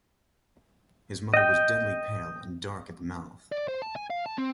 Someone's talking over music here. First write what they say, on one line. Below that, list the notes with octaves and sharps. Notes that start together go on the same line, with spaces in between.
His mother was deadly pale and dark at the mouth.
D#5 G5
D5
C5
A5
G#5
F5
A5
C4